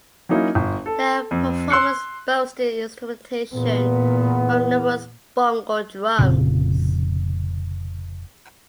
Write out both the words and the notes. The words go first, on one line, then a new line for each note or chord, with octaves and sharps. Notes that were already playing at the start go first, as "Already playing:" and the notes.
The performance boasted instrumentation from numerous bongo drums.
F#3 A#3 C#4 D#4 E4
G1
A4
F2
C6 E6 F#6 C7 C#7
E2 A#2 B3
F1 F2 A#2 C#3